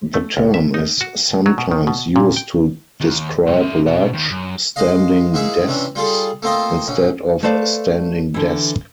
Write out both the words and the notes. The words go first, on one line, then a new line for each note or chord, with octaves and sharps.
The term is sometimes used to describe large standing desks instead of "standing desk".
A3
C#2
E5
D#4
F#4
F#3
B2
D#3
B2
A#2
G5
D#2
G2 C3
C#4 E5
B2 F#4
D#2 D#3
F#2
G#3 D#5 F5
G#2 A#3 E4 G#4 E5
C3 E3 C#4 D4
G3 F4 G#4 A4
A3 A#3 C4 F4 D#5
A#1 C#4
A3 B4 C5 D5 F5
D3 E3